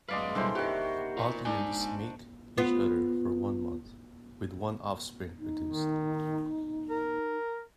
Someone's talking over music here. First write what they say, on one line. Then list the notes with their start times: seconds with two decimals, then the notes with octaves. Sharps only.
Otyughs mate each year for one month, with one offspring produced.
0.08 F#2 G#3 B4 D5 F5
0.35 B2 D3 E3 F#3 G3 C5
0.55 D#3 F#4 G4
1.17 F4 A#4
1.45 G#3 D4 D#4 G#5
2.58 B3 F4
5.39 D#4
5.68 D#3
6.90 A#4